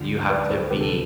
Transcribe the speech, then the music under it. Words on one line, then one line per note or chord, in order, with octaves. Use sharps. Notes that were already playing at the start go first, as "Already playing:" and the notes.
you have to be
Already playing: D2 D3 F3
B4 D5
A4 C5
D2 C3 F3 G4 B4
A4